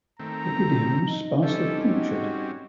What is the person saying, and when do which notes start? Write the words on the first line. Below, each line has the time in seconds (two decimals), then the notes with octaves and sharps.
Pygidium sparsely punctured.
0.19 D#3 A3 C4 A#5
1.07 D#4
1.43 G3 C4 C#4 A4
1.92 F#4